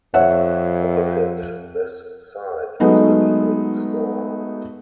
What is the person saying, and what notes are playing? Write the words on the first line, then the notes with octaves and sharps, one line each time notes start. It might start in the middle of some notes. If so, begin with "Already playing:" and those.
Opposite this site is a Lidl store.
F2 C#5 E5 F#5
F#3 G#3 A3 B3 D#4